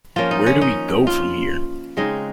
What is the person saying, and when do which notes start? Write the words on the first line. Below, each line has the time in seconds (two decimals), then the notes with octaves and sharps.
Where Do We Go from Here?
0.16 F3 A#3 C#4 F4
0.31 D#4
0.46 C#4
0.61 D#4
1.07 F4
1.97 C#3 G#3 C4 D#4